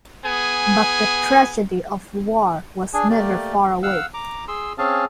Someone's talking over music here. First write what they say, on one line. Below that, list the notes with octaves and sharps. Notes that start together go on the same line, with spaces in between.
But the tragedy of war was never far away.
B3 G#4 G#5
D4 G#4 G#5
A3 A#3 G4 D5
F5 F#5 E6
A#5 D6
G#4 C6 E6
C4 C#4 G#4 F5 A5